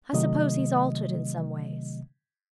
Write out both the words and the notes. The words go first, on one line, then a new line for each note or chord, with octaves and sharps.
'I suppose he's altered in some ways?'
C3 D#3 F#3 A3 D#5